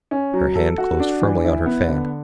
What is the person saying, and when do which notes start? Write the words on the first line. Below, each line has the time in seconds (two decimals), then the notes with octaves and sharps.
Her hand closed firmly on her fan.
0.11 C#4
0.34 F#3
0.55 A4
0.78 F#4
1.00 D4
1.22 E3
1.44 E4
1.66 B3
1.88 D3